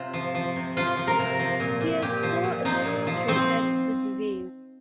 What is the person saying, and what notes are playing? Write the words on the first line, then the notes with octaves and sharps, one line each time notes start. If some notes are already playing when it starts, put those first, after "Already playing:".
He has sought a new treatment for the disease.
Already playing: C3 F4
F3
F3
C3
F3 F4
F3
A#4
C3
F3
A#2
A#2
A#2 G4
F3
A#2
F3 D#4
A#2
F3
F3 C4